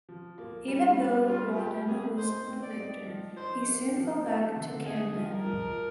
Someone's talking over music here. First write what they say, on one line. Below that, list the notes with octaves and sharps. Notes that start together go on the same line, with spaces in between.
Even though Rawdon was the victor, he soon fell back to Camden.
F3
A#3
G3
A#3
G3 F4
G3 G4
A#3 G#4
D#4 C5
C4
D5
D#4
F3
D#4 C5
A#3
F3
C4
D3
D#4 G#4
F3
A#4
F3